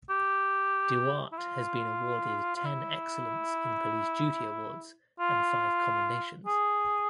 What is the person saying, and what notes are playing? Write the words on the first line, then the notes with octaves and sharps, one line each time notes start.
Duarte has been awarded ten Excellence in Police Duty awards and five commendations.
G4
E4
F4
F4
E4
F4
G#4